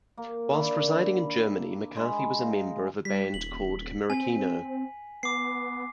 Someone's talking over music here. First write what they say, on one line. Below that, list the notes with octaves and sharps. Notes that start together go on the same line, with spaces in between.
Whilst residing in Germany, McCarthy was a member of a band called Kamerakino.
A#3
A#3 D4 E4
G#3 B5
C5 F5 A#5
G3 B6
D#1 F#7
C4 G#5
B3 D6 C7